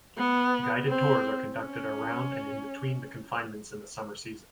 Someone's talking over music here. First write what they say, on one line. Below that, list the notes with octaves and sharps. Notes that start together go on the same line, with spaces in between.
Guided tours are conducted around and in between the confinements in the summer season.
B3
C4
C#4